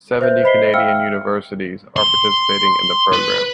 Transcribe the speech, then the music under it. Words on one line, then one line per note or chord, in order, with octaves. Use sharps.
Seventy Canadian universities are participating in the program.
B4 C5 E5 G6
C5 D#5 B5 B6 C7 G7
E5 F5 G5 E6 F6 C#7
C6
B4